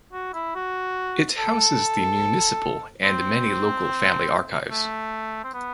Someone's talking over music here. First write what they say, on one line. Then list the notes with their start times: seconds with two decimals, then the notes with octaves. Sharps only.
It houses the municipal and many local family archives.
0.13 F#4
0.34 E4
0.55 F#4
1.38 A4
3.05 C4
4.71 A3
5.44 C4
5.54 B3